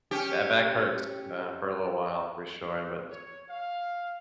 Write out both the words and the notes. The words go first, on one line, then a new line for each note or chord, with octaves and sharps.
that back hurts, uh, for a little while for sure. But,
C#4 G4
C#5
F5